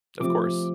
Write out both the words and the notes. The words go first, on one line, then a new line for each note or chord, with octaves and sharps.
Of course.
C3 F3 A3 C4 D6